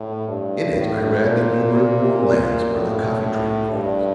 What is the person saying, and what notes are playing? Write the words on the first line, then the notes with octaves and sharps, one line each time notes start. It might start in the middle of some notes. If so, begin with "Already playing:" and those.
In it I read that you were in warm lands where the coffee-tree grows.
Already playing: A2
G2
A2
A#2
A#2
A2
A2
G2